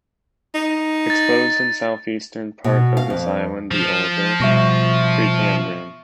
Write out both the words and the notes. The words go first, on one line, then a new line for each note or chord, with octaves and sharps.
Exposed in southeastern part of this island, the older Precambrian.
D#4
A6
B2
F5
F2
F3
B2 G3 E5 C#6 A#6